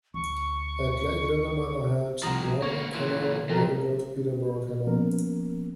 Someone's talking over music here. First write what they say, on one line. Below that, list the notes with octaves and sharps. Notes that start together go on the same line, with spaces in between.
At Lake Linderman I had one canoe, very good Peterborough canoe.
D2 C#6
C2 C3 F3 F#5 A#5 D#6
A#3 B3 C#5
A#2 E3
F2 F3 F#3 A4 A#4 A#5
F3 A#3 B3 C#4 A#4